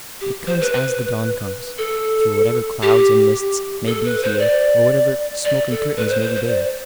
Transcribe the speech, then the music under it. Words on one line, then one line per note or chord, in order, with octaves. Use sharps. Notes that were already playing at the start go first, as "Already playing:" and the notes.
It comes as the dawn comes, through whatever clouds and mists may be here or whatever smoke and curtains may be there.
G4
C5
B4
B4
A4
G4
A4
B4
C5
D5
D5
A4
B4
C5
C5
C5
D5